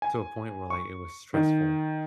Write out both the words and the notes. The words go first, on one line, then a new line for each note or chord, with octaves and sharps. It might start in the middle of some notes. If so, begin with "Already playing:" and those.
to a point where, like, it was stressful,
G#5
C#6
D#3